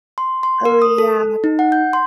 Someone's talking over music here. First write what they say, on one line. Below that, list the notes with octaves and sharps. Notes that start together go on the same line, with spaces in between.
Oh yeah.
C6
C6
A#4
D#6
A4
D#4
F#5
G6
C6